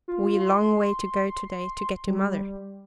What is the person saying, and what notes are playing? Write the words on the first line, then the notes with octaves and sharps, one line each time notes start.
"We long way to go to-day to get to Mother."
F4
C6
G3